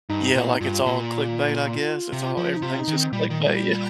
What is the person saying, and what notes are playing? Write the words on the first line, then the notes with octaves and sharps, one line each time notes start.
Yeah, like, it's all clickbait, I guess, it's all everything's just clickbait, yeah.
G2 D#4
A#2 F4
D#4
G2 F4
A#2
C3
F3
D#4
C3 F4
D#4
D#3
C4
A#2 G3
D#3
G3